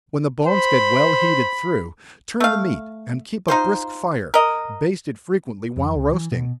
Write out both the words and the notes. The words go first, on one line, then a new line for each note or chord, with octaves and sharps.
When the bones get well heated through, turn the meat, and keep a brisk fire--baste it frequently while roasting.
C5 B5
A3 F5
D#4 F4 C5
A#4 D#5
F2
C#2
E3
B2